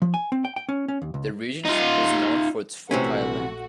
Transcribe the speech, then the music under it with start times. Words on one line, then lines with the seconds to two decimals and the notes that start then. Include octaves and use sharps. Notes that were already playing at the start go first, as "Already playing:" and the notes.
The region is known for its fertile land.
0.02 F3
0.14 G#5
0.32 C4
0.45 G5
0.56 G5
0.69 C#4
0.88 C#4
1.02 D#2
1.14 C#2
1.65 D#4 F4
2.91 A#1 C3 E3 A3 C#4 F#4